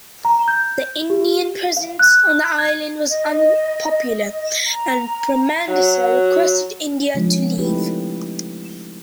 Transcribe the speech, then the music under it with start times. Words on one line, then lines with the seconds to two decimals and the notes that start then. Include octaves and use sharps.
The Indian presence on the island was unpopular, and Premadasa requested India to leave.
0.25 A#5
0.48 G6
1.10 G4
1.77 F5
1.99 F#6
2.58 G#6
3.09 D#5
4.66 A#5
5.68 F#3
7.15 C#3 F3 G#3 C#4 D4
7.58 A3 C4 D#4 E4 G4 B4